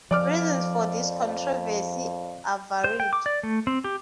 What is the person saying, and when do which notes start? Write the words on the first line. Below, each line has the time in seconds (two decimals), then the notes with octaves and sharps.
Reasons for this controversy are varied.
0.11 F2 F3 D5 D6 F6
2.84 C5
3.00 G5
3.13 D6
3.26 D5
3.43 A3
3.67 C4
3.84 G4